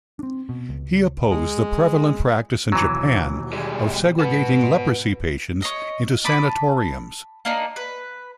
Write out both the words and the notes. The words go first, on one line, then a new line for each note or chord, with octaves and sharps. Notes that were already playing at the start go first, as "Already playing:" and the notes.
He opposed the prevalent practice in Japan of segregating leprosy patients into sanatoriums.
C4 D4
B2
C#2
G#3
D#2 B2 E3 F#3
G3 G#3
G#2 B2 F#4 B4
C#5 D#5
A5 B5 D6 D#6
A#3 D4 D#4
B4